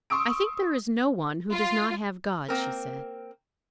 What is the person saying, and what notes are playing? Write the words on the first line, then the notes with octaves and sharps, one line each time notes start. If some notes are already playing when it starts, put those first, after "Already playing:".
"I think there is no one who does not have God," she said.
C6 C#6 D#6 E6 D7
F4
A#3 C4 A#4